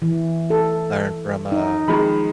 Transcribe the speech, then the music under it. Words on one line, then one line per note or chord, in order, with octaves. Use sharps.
learn from, uh,
E3
A4
D#4
D#3 F3 G#3 B5